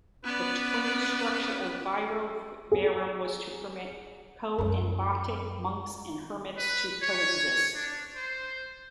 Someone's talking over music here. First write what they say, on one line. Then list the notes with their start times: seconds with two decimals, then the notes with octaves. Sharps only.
The twin structure of Vivarium was to permit coenobitic monks and hermits to coexist.
0.24 B3 C#4 B4 D5
2.72 G#4
4.58 F#2 G#3
6.58 B4
7.03 C#5
7.74 D4
8.16 C5